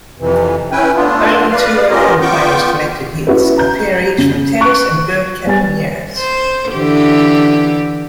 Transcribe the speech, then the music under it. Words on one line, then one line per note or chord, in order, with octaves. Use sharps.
Only two Oakland players collected hits, a pair each from Tenace and Bert Campaneris.
F2 C3 E3
C#4 E4 B4 G5 G#5
A3 B3 D4 F4
B4 D5 F5
B3 C#4 F4 G4 A#4 D#5
B3 F4 G5 C#6 D6 G6
C#4 E4 F#4 B4
A#5 G6
C#3
C#6 F#6 D7
G3 B3 G#5 A6
C5
D3 E3 G4